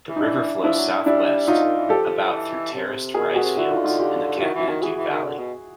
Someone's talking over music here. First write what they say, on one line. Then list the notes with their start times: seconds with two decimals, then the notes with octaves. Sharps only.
The river flows southwest about through terraced rice fields in the Kathmandu Valley.
0.09 E3
0.16 D#4
0.22 E3 D4 E4
0.54 E3
0.63 F3 D4 E4
0.77 F#3
1.06 G3 D4 E4
1.47 F#3 D#4 F4
1.63 D#3
1.77 E3
1.89 F3 G4 A4
2.32 E3
2.73 C3
3.14 B2 G#4 A#4
3.29 B2
3.36 F#4 G#4
3.43 C3
3.56 D3 E4 F#4
3.71 D#4 F4
3.84 D#4 F4
3.99 F4 G4
4.37 G4
4.40 D#3 E4 F#4
4.54 E3
4.61 E4 F#4
4.68 D#3
4.82 E3 F#4 G#4
4.96 E3
5.11 D#3
5.24 D3
5.38 B2